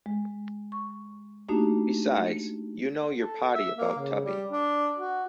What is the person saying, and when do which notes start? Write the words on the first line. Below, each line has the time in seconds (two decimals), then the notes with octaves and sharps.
Besides, you know you're potty about Tuppy.
0.06 G#3
0.72 C#6
1.49 A3 A#3 D4 D#4 F#4 G4
3.17 A4
3.54 E5
3.77 A#3
3.98 C#3
4.24 G3
4.51 D4
4.98 F#4